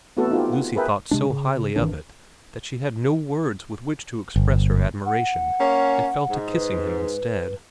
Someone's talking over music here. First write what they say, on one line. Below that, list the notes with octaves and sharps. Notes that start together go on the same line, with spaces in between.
Lucy thought so highly of it that she had no words with which to express her admiration, and fell to kissing him instead.
A3 B3 C4 E4 F#4 A4
D#4 F4 G4
F#5
G#4 A#4 B4 E5 G5
C3 G#3 D4
C#3
G#1 D#3 E3 D4
G1
F#5
A#3 C#4
G#2
B4